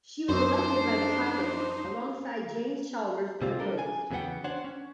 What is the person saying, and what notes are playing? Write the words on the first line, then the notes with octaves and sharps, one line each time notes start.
She was elected by the caucus alongside Jim Chalmers unopposed.
F#2 D4 D#4 C5
C3 C4 F4
G3 D4 A4 A#4
G#4 G#5
E2 C#3 F#3 B3 F#5 G5
D4 C5 C#5 F#5
C#4